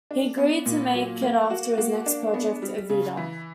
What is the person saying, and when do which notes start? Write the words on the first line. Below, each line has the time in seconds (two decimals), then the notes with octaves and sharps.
He agreed to make it after his next project, "Evita".
0.11 D4
0.38 B3
0.66 A#2
0.94 F#3
1.22 A#3
1.50 F#4
1.78 A#3
2.06 D4
2.34 B3
2.62 G3
2.90 C#3
3.17 E3